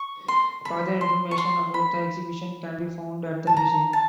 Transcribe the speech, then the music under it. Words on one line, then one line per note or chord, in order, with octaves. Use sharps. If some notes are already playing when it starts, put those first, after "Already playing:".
Further information about the exhibition can be found at the museum.
Already playing: C#6
C6
B5
C6
C#6
C6
B5
A5
A#5
A5